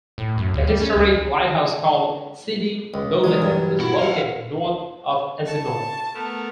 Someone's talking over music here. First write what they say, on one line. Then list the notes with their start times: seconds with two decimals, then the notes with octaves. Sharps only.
A historic lighthouse called Sidi Boubeker is located north of Azemmour.
0.18 A2
0.38 F#2
0.54 D2
0.67 G3
0.80 C#4
0.95 C#2
2.94 C#2
3.24 E3 F#3 G#3 A#4
3.42 G2
3.80 E4 F#4
3.99 F5 F#5
5.47 A5 C#6
6.14 A3 B3 A#4